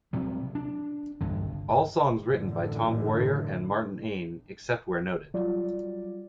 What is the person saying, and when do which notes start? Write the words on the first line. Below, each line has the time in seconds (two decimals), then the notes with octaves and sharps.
All songs written by Tom Warrior and Martin Ain, except where noted.
0.13 C3 F#3 G3
0.55 D4
1.21 C2 G2 D3
2.26 A1 F#2 A2 D3
5.34 F#3 G3 F4 D5